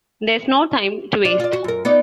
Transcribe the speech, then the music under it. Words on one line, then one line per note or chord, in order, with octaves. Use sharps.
There's no time to waste.
D4 F4
F4 D5
F#4
F#2 A#4
B3 D#4 D5